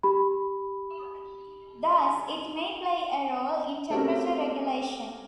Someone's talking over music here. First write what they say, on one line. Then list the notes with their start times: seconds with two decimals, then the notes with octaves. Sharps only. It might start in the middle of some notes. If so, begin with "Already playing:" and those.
Thus, it may play a role in temperature regulation.
0.03 G4 B5
3.90 A3 C4 C#4 F#4 G4 A#4